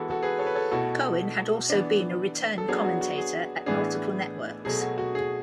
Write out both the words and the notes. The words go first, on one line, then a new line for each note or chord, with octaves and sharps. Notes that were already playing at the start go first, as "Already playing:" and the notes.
Cohen had also been a return commentator at multiple networks.
Already playing: E3 G#3 B3 E4 F#4 A4
F#4 A4
G#4 B4
A4 C#5
B4
A4 C#5
B2 A3 E4 F#4 A4
E3 B3 D4
A4
F#3 B3 D4 G#4
F#4
F#4
G#4
A2 E3 B3 D4 G#4
B2 F#3 A3 G#4
F#4
F#4
G#4